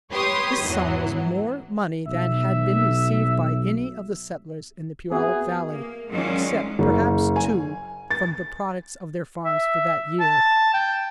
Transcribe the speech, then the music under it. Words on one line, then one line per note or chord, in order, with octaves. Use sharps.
This sum was more money than had been received by any of the settlers in the Puyallup valley, except perhaps two, from the products of their farms for that year.
G4 B4 C#5 C6 D#6
E2 G#2 E3 F#3
B1 E5
B3 F#4 G#4 E5
A#3
D#3 F#3 G#3 C#4 D4 F4
F#1
G#5
A6
E5
A5
G5